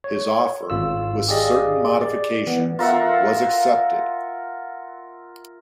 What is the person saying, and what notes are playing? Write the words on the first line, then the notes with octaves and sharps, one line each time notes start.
His offer, with certain modifications, was accepted.
C#5
G#1 F4 E6
G4 G#4 D5 D#5 F5
D5
E3 B3
F4 A#4 E5 F#5